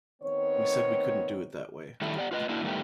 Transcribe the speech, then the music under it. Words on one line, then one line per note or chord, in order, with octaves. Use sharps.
We said we couldn't do it that way.
D#3 B3 C4 C#5
D#3 G3 A3 E4 A4
G4 D5 F#5
F4 B4 D#5
A#3 D4 E4 F#4
A2 D#3 G3 A3 B3 G4